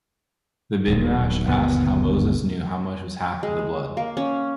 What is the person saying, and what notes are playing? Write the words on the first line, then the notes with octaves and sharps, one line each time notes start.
The Midrash asked how Moses knew how much was half of the blood.
D#1 B1
G1 D#2 B2 B3
G#3
A#3
C#4